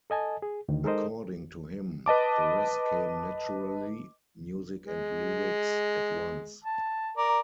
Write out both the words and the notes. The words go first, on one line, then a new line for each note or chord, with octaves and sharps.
According to him, "the rest came naturally, music and lyrics at once".
A4 D#5 G#5 A5
G#4
D2 D#3
G#3 D#4 A4 A#4 C5 D#5
B4 D#5 A5 D6
G#3
A5
A#4 D5